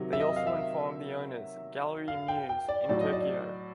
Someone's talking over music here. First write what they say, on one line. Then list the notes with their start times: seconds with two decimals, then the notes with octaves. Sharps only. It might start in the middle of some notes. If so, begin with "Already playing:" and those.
They also informed the owners, "Gallery Muse" in Tokyo.
Already playing: C3 D#3 F#3
0.13 E5
0.20 D#5
0.36 F5
0.47 E5
2.08 F5
2.28 G5
2.49 G5
2.68 D5
2.89 A2 F#3 D5
3.01 D#5
3.13 D5